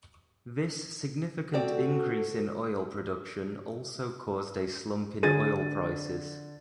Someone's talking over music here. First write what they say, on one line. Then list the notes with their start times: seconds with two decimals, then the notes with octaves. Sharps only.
This significant increase in oil production also caused a slump in oil prices.
1.54 A3 C4 F#4 A4 D5
5.23 D3 G#4 A6 D#7